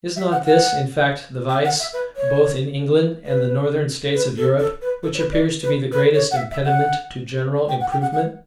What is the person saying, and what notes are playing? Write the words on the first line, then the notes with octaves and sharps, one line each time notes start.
Is not this, in fact, the vice, both in England and the northern states of Europe, which appears to be the greatest impediment to general improvement?
E5
F#5
F#5
G5
F#5
E5
B4
C#5
B4
B4
A4
A4
B4
A4
C#5
B4
D5
B4
B4
C#5
F#5
E5
E5
F#5
G5
F#5
G5
F#5
F#5